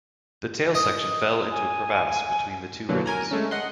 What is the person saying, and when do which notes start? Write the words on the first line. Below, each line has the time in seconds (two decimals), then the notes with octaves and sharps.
The tail section fell into a crevasse between the two ridges.
0.75 D#5
1.51 G#5
2.89 B2 D3 E3 F#3 A#3
3.06 A#4 G#5 A#5
3.31 G#3 A3 C#4
3.51 D#5 F#5 C6